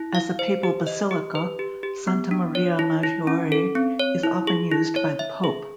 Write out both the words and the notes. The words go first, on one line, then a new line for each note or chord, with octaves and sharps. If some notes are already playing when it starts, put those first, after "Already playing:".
As a papal basilica, Santa Maria Maggiore is often used by the pope.
Already playing: E4
F5
C5
G4
D#5
G4
B4
G4
G4
B3
D4
C#5
E4
E4
C#4
A4
C4
C#5
E4
G#4
E4
C#5
E5
G#4